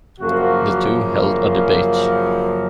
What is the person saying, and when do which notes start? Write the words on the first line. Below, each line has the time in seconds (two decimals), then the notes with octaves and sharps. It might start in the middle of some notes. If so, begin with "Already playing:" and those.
The two held a debate.
0.18 F#2 C#3 F3 A#3 F#4